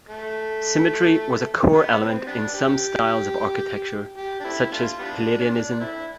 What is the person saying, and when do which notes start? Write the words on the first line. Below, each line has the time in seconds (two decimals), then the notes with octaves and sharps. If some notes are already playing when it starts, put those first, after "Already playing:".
Symmetry was a core element in some styles of architecture, such as Palladianism.
0.09 A3
1.72 D3 G3 B3
2.00 C4
2.26 G3 B3 D4
2.54 G4
4.17 G4
4.40 D4
4.44 A3 C4 E4
4.72 A3 D4 F4
4.99 G3 B3 D4
5.39 D4
5.80 A3 C4 E4